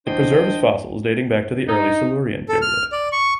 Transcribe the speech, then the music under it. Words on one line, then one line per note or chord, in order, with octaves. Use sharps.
It preserves fossils dating back to the early Silurian period.
E2 D4 C5 D#5 G5
D#4
A4
F6
D5
C#6